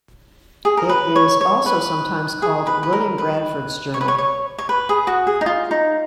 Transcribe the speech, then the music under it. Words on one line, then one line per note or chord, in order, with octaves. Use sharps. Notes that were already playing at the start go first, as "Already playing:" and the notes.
It is also sometimes called "William Bradford's Journal".
G#4
A#4
B4
C#5
C#5
B4
G#4
B4
B4
A#4
B4
C#5
B4
C#5
C#5
C#5
B4
G#4
F#4
G#4
D#4
F4
D#4